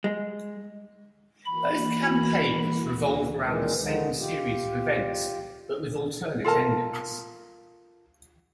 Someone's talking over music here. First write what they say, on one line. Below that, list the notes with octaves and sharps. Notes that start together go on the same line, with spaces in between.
Both campaigns revolve around the same series of events, but with alternate endings.
G#3
E3 A#3 F#4 B5
A#2 D#3 E3 G#3
D3 D#3 G#3 D#4
F4 G4
F4 A4 A#4 A5